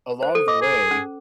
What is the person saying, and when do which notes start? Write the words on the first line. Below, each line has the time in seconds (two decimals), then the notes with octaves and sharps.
along the way,
0.23 C5
0.35 A4
0.48 D#5 D6
0.62 G#4
0.91 C#4